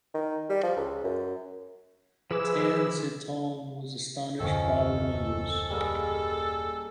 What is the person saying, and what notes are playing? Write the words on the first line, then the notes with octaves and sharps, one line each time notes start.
Tan Sitong was astonished by the news.
D#3
G3
F3
C#2
F#2
F3 E4 G#4 B4 D6 E6
D#1 F#2 D3 D#3 F3 C#4 A4
G3 A#3 G#4